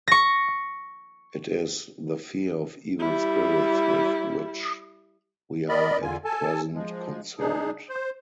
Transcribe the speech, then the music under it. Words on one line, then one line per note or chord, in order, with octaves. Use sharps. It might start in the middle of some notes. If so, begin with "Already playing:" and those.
It is the fear of evil spirits with which we are at present concerned.
C#6 A#6
G3 E4
A#4 D5 D#5 B5
E2 D3 F4 G#5
A4 G#5 A5
F3 G#3
D4 D#4 G#4
C5